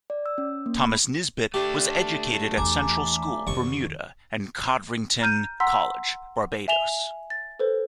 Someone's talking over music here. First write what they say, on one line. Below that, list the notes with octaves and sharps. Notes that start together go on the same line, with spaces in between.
Thomas Nisbett was educated at Central School, Bermuda, and Codrington College, Barbados.
D5
E6
C#4
A#3
B5
A3 D4 G4
E2 E3 G#5 A#5 D6
C2 F2 D#3 C#6
A#5 F6 G6 D#7
F#5 A#5 C6 E6 B6
E5 G#5 E7 F7 G7
A6
A4 B4 C5